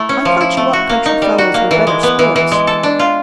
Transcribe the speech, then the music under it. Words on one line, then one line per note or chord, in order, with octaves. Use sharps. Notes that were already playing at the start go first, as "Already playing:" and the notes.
"I thought you up-country fellows were better sports."
Already playing: A3 E4
C#4
F3
E4
A3
F#4
A#3
D#4
G3
F#4
A#3
E3
G#3
B3
E3
E3
G#3
A4
D4
F4